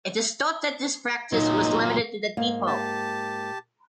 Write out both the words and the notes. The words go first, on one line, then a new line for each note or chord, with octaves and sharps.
It is thought that this practice was limited to the Depot.
A#2 F#3 D#4
G#2 A#3
G4 A5